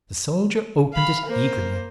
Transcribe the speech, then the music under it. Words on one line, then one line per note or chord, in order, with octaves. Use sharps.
The soldier opened it eagerly.
F5 B5
A#3 C5